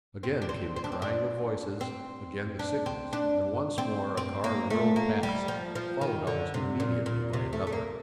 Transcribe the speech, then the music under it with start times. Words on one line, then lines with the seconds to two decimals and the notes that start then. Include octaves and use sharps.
Again came the crying of voices, again the signals, and once more a car whirled past, followed almost immediately by another.
0.23 C4
0.42 D4
0.49 C4
0.76 C4
0.84 D4
0.92 C4
1.02 D4
1.81 C4
2.59 D4
2.86 C4
3.13 D4
3.78 C4
4.17 C4
4.44 A#3
4.70 A3
4.96 A#3
5.23 G3
5.48 F3
5.75 F3
6.01 D#3
6.27 D3
6.54 C3
6.80 A#2
7.06 A#2
7.33 C3
7.53 A3
7.67 A3
7.72 A#3